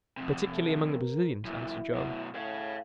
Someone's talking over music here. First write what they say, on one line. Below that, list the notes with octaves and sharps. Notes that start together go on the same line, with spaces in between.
"Particularly among the Brazilians," answered Joam.
F2 C3
A3
A#4
F#2 A#2 E4
F#2 B2
A2 C#5 F5